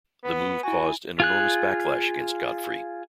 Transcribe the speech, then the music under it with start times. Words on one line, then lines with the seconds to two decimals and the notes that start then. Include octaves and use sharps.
The move caused an enormous backlash against Godfrey.
0.24 B3
0.63 E4 F#4 G#5
1.20 F4 G#4 F#6